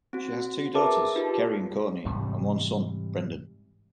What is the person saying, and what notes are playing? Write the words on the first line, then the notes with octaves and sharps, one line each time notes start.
She has two daughters, Kerry and Courtney, and one son, Brendan.
C4 F#4
G#4 A#4 B4 E5 A5 D6
D#4 F4 G4 B4
G#2 C3 E3 G3